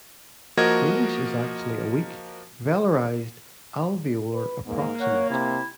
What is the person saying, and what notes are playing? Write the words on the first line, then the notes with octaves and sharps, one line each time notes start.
Danish is actually a weak, velarized alveolar approximant.
F3 A#3 F#4 A#4 D#5 G#6
B4
G#2 A#3
C#5 F#5
C3 E4